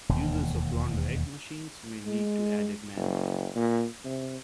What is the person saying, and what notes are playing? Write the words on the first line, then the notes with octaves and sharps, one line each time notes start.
Users of launderette machines may need to add it manually.
E1 D#2
G#3
F#1
A#2
C3